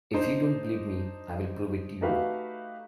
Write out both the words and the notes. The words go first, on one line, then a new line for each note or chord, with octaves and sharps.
If you don't believe me, I'll prove it to you!
D4 D#4 C5
A3 D#4 F#4 G4 B4 F5